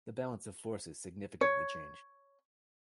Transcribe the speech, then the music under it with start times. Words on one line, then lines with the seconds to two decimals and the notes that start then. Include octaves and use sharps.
The balance of forces significantly changed.
1.41 C#5